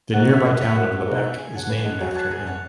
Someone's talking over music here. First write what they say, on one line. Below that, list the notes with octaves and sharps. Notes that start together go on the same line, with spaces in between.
The nearby town of Lebec is named after him.
G#2 F#4
C#5 E5
F#4
C#5 E5
F#2 F#4
C#5 E5
F#2
G#2 F#4
C#5 E5
G#4
C#5 F#5 A5
E3 G#4
G#3 C#5 F#5 A5
F#3 G#4
C#5 F#5 A5
G#4
C#5 F#5 A5